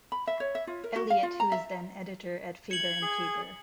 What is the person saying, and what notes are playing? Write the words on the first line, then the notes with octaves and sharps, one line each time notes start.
Eliot, who was then editor at Faber and Faber.
B5
E5
C#5
E5
F4
A#4
F#4
F5
F4
A#5
E5
G#6 C#7 F#7
G#4